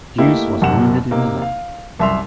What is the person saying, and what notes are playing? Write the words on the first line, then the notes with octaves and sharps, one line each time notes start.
Hughes was wounded in the leg.
A3 A#3 E4 G4 D#5 E5
F#1 F#2 C3 F#5 E7
C3 A#3 D#4
F5
C2 F#2 E5 C6 F7